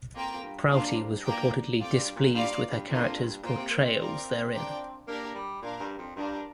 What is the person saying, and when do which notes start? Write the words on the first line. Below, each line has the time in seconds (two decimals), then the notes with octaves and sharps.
Prouty was reportedly displeased with her characters' portrayals therein.
0.15 F2 A#3 F4 A#4 G5
0.34 F2
0.43 G2
0.70 A#3 D4 F4 C5 F5
1.24 A#3 G4 A#4 D5 G5
1.79 F2 F4 D5 G5
1.98 G2
2.16 A#2
2.33 G2 A#3 F4 D5 F5
2.71 G2
2.88 F2 A#3 D4 F4 A#4
3.16 G2
3.43 A#2 A#3 F4 C5 G5
3.57 C3
3.70 A#3
3.84 C4
3.97 C4 F4 A#4 D5
4.52 D4 F4 A#4 D5 G5
5.07 A#3 D4 G4 A#4 D5
5.35 G3
5.62 A#2 D4 A#4 F5
5.80 G2
5.99 F2
6.16 G2 D4 F4 A#4